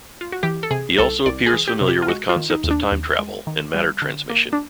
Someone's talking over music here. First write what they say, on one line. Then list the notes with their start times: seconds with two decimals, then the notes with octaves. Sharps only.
He also appears familiar with concepts of time travel and matter transmission.
0.21 F4
0.32 F#4
0.43 E3 G4
0.63 A4
0.71 C3 G#4
0.98 C2 A4
1.26 C2 D5
1.46 G#4
1.53 E3
1.68 G4
1.81 C3
1.88 G4
2.02 F4
2.08 G#3 F#4
2.29 F4
2.36 D#3
2.50 D#4
2.64 D#2
2.71 D4
2.92 D#2
3.19 G#3
3.47 D#3
3.74 G3
4.02 D3
4.30 A#3
4.53 D4